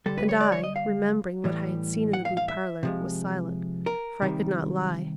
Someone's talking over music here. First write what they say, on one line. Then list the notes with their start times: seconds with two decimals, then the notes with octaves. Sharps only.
And I, remembering what I had seen in the blue parlour, was silent--for I could not lie.
0.06 D3 G3 A4
0.18 B4
0.29 C#5
0.40 D5
0.52 C#5
0.63 D#5
0.76 F5
1.44 A2 E3 G3
2.13 F#5
2.25 F5
2.37 F5
2.48 E5
2.83 C3 F3 G#3
3.86 A#4
4.22 C3 D#3 G3